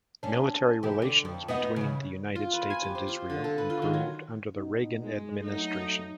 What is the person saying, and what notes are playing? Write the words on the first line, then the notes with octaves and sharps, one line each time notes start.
Military relations between the United States and Israel improved under the Reagan Administration.
C#4 D4
E3 G4
D3
F2
B3 D#4 F#4
C#3 E3
F4
B4
G#5
G4
C5
F4
D3
A4
B4
F4
D#3
F#3
B2 D#4
G#3
F#3 A3 D#4